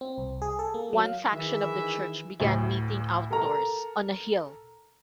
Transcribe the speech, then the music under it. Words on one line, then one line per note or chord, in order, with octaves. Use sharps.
One faction of the church began meeting outdoors, on a hill.
C4
C2
G#4
A4
A#3
F#3
F5
D#3 E3 G#4 E5
D2 A2
A4 A#4 A#5